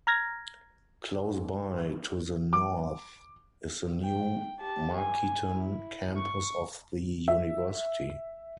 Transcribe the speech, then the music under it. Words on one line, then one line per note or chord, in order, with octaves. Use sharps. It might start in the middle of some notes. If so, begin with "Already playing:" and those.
Close by to the north is the new Markeaton campus of the university.
A#5 F6 G#6 A#6
D6
G5
G4 A5
G#5
E4
C#6
E5